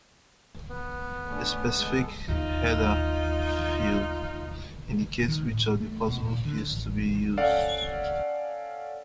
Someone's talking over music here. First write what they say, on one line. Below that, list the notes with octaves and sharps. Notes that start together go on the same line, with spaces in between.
A specific header field indicates which of the possible keys is to be used.
B3
A3 C#4 D4
G#3 A4
D#2 D#4 F4
D#3
A2
A3
B2
A#2
D3
A1
A1
C#4 A4 D5 F5 F#5